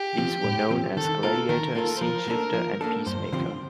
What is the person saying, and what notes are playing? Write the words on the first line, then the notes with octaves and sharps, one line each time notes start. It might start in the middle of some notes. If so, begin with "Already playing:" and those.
These were known as "Gladiator", "Sceneshifter" and "Peacemaker".
Already playing: G4
F3 C4
A2
F3 C4
D#3 A4
A#3 F4 A4 A#4
D#3 A#4
A#3 F4 A4 A#4
C5
F3 A#4
A#3 D4 A4
F3
A#3 D4 A4
G2 C5
D3 F3 C4 G4